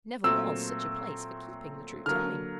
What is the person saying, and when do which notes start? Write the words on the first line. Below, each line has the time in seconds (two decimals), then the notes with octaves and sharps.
Never was such a place for keeping the true time.
0.24 A#2 F#3 A3 C4 E6
2.06 D3 F#3 A#3 F6